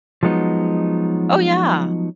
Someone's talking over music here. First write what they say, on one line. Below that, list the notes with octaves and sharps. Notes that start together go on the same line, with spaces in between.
Oh yeah.
F3 F#3 G#3 B3 D#4